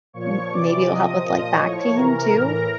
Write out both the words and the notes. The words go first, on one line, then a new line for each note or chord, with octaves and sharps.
M maybe it'll help with, like, back pain, too?
A#2 F3 C#5 C#6
C3 E3 D5 D6
C3 F3 D#5 D#6
A#2 F3
A2 F3 C#5 C#6
C3 E3 A#4 A#5
A2 E3